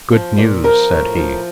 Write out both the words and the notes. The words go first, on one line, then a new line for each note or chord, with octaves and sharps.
"Good news," said he.
F3
A#2
F3 A#4
A2
F3